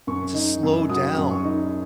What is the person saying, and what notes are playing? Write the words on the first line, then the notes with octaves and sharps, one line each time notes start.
to slow down
F#2 C#6
D#4
F#2
F#3 D#6
F#2
C#6
D#4